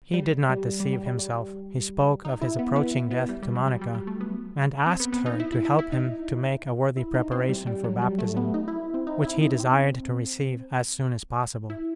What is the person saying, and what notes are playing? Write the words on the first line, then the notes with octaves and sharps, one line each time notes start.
He did not deceive himself. He spoke of his approaching death to Monica, and asked her to help him to make a worthy preparation for Baptism, which he desired to receive as soon as possible.
G3
G3
G3
G3
G3
G3
D#4
E4
B3
B3
B3
G3
G3
F#3
G3
G3
G3
A3
B3
C4
B3
B3
D#4
E4
E4
E4
E4
D#4
E4
D#4
C4
G3
G3
F#3
G3
A3
B3
D#4
E4
C4
D#4
E4
D#4
C4
E4